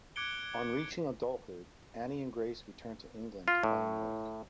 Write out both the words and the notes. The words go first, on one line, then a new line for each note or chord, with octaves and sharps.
On reaching adulthood, Annie and Grace returned to England to find work.
D6 F#6 G#6 C#7 D7 G7
F4
A2